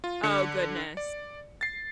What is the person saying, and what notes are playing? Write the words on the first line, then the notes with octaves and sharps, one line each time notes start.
Oh, goodness.
F4
D3 C#7
D5
A6 C7